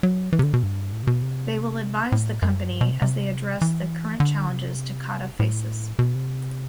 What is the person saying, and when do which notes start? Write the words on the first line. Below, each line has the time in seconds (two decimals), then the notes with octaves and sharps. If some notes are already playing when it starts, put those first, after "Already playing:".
They will advise the Company as they address the current challenges Takata faces.
0.03 F#3
0.33 E3
0.39 C3
0.43 D3
0.54 B2
0.63 G2
0.93 A2
1.03 C3
1.07 B2
1.22 C3
2.12 A2
2.42 F#2
2.71 G2
2.81 B2
2.91 C3
3.02 C3
3.62 E3
4.20 D3
4.50 C3
5.40 A2
5.99 B2
6.15 C3